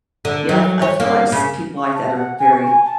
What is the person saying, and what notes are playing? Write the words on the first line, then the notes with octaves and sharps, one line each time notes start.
Yeah, f I feel, like, s people like that are very
D3
F#3
C#5
A#3
C#3
C#6
A5
F#5
G#5
C#6
G#5
A5